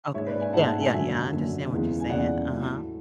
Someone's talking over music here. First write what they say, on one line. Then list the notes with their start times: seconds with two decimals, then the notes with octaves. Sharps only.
Okay yeah, yeah, yeah, I understand what you're saying, uh-huh.
0.14 G#2 G#3 C#5 E5
0.27 B4 D5
0.40 E5 G#5
0.53 G#2 G#3 F#5 A5
0.66 E5 G#5
0.80 E5 G#5
0.92 F#2 D3 F#3 E5 G#5
1.32 F#2 D3 F#3
1.70 E2 C#3 E3 G#3
2.00 G#5
2.09 E2 C#3 E3 G#3 D5 F#5
2.49 A2 F#3 A3